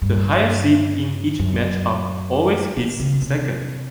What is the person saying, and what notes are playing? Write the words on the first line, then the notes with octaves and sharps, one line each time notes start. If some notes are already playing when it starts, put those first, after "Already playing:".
The higher seed in each matchup always hits second.
G2
F#2
B2
C#3
C3